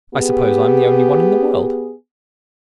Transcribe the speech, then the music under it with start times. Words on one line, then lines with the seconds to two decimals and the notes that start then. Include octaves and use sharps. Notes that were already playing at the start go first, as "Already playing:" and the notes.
I suppose I am the only one in the world.
0.13 B3 G4 G#4